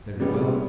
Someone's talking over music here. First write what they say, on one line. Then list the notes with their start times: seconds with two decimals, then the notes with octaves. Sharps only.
Very well.
0.19 C#3 G3 B3